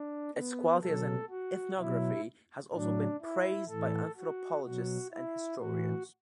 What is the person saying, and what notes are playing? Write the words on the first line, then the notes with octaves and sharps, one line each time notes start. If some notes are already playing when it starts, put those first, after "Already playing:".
Its quality as an ethnography has also been praised by anthropologists and historians.
Already playing: D4
B3
B2 F#3 A4
F#4
B2 F#3 E4
A2 F#3 D4
E4
A2 E3 A4
F#4
B2 F#3 F#4
E4
A2 E3 F#4